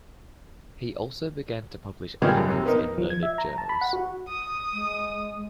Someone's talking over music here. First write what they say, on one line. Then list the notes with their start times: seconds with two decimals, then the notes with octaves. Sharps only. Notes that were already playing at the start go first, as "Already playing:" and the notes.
He also began to publish articles in learned journals.
2.22 C#3 F3 G3 G#3 A#3 B3
2.37 F#2
2.51 C3
2.66 A#3 B3 D#4 A#4
2.98 F3
3.10 G#6
3.23 E5
3.38 A#5
3.58 A5
3.69 B5
3.81 F#5
3.93 F#4
4.29 D#6
4.73 G#3